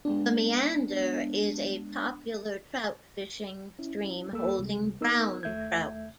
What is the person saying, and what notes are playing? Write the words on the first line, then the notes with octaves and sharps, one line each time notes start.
The Meander is a popular trout fishing stream holding brown trout.
G#3 B3 D4
C#4 E4
D#2 A#3 A4 E6
C#2 C3 G3 G#3
B3 D#4 A#4 E6
D#2 A3 E5 G6 G#6